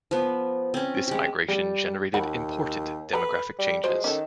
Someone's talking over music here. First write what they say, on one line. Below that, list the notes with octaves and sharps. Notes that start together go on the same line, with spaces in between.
This migration generated important demographic changes.
F3 B3
C4 C#4
G#3 G4
G3
D#2 F#5 B5
A4 B4 A#5
G3
F3 F#3 G#3 C5
D#3 C#4 A4